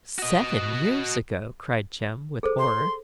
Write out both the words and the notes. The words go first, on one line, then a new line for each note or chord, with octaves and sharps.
'SEVEN YEARS AGO!' cried Jem, with horror.
F#4 D#5
G#4 A4 C5
C6